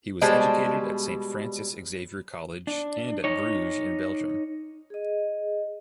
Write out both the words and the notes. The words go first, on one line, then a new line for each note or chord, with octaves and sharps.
He was educated at Saint Francis Xavier College, and at Bruges in Belgium.
B2 G3 G#3 C5 A5
D4
D#4 C#5
G#4 D#5